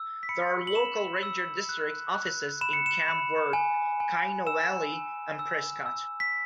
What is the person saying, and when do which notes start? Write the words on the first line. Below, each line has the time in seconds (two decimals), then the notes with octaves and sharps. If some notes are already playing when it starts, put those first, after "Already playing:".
There are local ranger district offices in Camp Verde, Chino Valley, and Prescott.
Already playing: E6
0.23 B6
0.29 B5 C#7
0.67 F#7
0.75 B5 E7
1.23 E6
1.69 F#6
2.15 F#6
2.61 B5 E7
2.73 C#7
2.86 E7
3.08 B5
3.53 G#5
4.00 G#5
4.47 E6 E7
4.93 G#5
5.39 E6
5.86 E6
6.20 B6